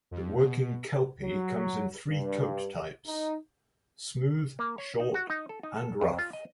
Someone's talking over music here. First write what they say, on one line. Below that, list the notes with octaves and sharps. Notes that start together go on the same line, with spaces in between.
The Working Kelpie comes in three coat types: smooth, short, and rough.
F2
B2
F#3
G2
D#4
A#3
C#5
D#4
F#4
D#4
A4
D#4
A4
F2
F4
D#5